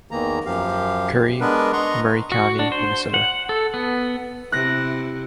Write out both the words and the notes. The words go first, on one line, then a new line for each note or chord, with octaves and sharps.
Currie, Murray County, Minnesota'.
E2 D#3 E3 A#3 A#5
F#2 F3 G4 F5
G#3 B3 D4 A#4 B4
D#5 A#5 C6 C#6
F#4
D4
C5
F#5
A4
B3
C3 E4 F#6 A#6